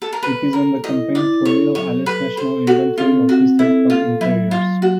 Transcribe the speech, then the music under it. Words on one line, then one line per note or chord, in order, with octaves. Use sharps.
It is on the Campaign for Real Ale's National Inventory of Historic Pub Interiors.
A4
A#4
A4 B4
A4 A#4
E4 D#5
E4 D5
A4 C#5
F#3 C#5
A4 B4
A4 C5
F#4 A4
C4 F4
C4 F#4
E4 A4
A#3 F4
F#3 E4
F#3 F4
A#3 F#4